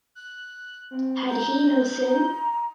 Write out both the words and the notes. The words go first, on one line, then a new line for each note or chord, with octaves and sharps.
Had he no sin?
F#6
C4
A#5 G6
A#5